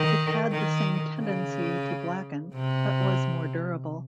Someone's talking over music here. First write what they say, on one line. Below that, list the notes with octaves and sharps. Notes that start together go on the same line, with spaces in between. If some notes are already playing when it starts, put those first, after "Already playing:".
It had the same tendency to blacken, but was more durable.
Already playing: D#3
D#3
C#3
C3